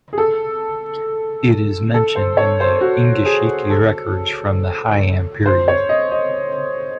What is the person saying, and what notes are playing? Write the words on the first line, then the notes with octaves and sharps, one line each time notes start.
It is mentioned in the "Engishiki" records from the Heian period.
G#4
A4
A4
C5
C#5
C5
F#4
G#4
A4
C5
C#5
D#5
D#5